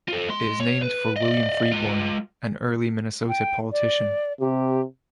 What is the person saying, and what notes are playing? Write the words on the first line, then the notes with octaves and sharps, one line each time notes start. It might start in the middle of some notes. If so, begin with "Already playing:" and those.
It is named for William Freeborn, an early Minnesota politician.
F4 A4
G#3 C6
C#5
B4
D5 D#5
G#3 F4
G5
D5
C3 G4